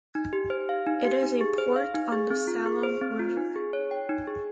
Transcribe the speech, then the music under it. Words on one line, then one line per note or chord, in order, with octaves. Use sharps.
It is a port on the Saloum River.
D#4
G4
C5
F5
D#4
G4
D#4
G#4
C5
F5
D#4
G#4
C4
F4
G#4
C5
C4
F4
D#4
G#4
C#5
G5
D#4
G#4